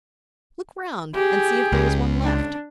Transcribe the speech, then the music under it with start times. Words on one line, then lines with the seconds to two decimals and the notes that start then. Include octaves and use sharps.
Look round and see if there is one left.
1.15 G4 G#4
1.72 C#2
2.23 D4